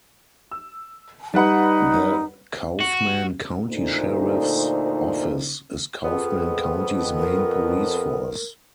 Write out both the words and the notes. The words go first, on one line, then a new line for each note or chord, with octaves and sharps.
The Kaufman County Sheriff's Office is Kaufman County's main police force.
E6
G3 D#4 B4 F#5
F#4
D2 A#2 D#4 A4 C5
F2 B3 G#4
A#4